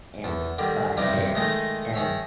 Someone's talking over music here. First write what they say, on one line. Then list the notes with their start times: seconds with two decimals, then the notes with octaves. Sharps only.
and it's by, uh, Behr, and
0.24 E2 A5
0.58 D3 D#3 G3
0.97 G2 C3 G3 D#4 E4
1.35 D#3 G#3 A3 D#4 D#6
1.94 D#3 G#4 C#5 E5